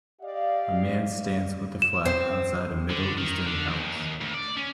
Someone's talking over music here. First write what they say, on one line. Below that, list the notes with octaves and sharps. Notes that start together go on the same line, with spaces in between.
A man stands with a flag outside a middle eastern palace.
G4 D5 D#5 F5
E7
C4
D3
D#3
D3
D#2
D2
D5
C#4